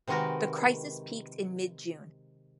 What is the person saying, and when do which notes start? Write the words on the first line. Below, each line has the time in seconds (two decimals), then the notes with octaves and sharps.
The crisis peaked in mid-June.
0.07 C3 D#3 G#3 F#4 A#4 B4